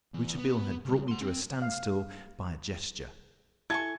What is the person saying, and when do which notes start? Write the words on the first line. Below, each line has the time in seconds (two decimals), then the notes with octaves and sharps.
Rouletabille had brought me to a standstill by a gesture.
0.14 E2
0.38 B3
0.84 C#3 G3
1.08 F#5 C6
1.22 C4
1.62 F5
3.70 E4 A4 G#5 C#6 G#6